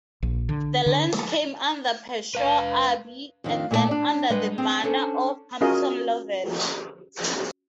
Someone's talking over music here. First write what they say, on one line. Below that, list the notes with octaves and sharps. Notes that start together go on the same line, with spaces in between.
The lands came under Pershore Abbey and then under the manor of Hampton Lovett.
A#1
D3
D3
B4 F5
F2 D#3 D4 F5
A#2 A3 D#4 G4 D5 A5
D4
G3 G#3 B4 D#5 F#5
C4 G#4
C#4 D4 A4 C5
C#4 F4 F#4 G#4 A#4 D#5